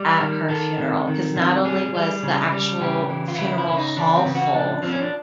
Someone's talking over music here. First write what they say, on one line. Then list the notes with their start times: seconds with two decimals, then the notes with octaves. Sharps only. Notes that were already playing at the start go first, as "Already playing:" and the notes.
at her funeral, 'cause not only was the actual funeral hall full,
Already playing: G3
0.21 D#3
0.49 D#3 A4
0.78 C3
1.07 D#3
1.36 C3
1.65 G3 G#4
1.95 G3
2.23 C#3
2.52 G3
2.81 C#3 G4
3.09 E3
3.28 F4
3.38 C#3 E4
3.58 E4
3.68 C#3
3.77 D#4
3.97 E3 D4
4.16 C4
4.25 C#3
4.35 F#4
4.54 F3 D4
4.83 F3 C4
4.92 C#4
5.02 D4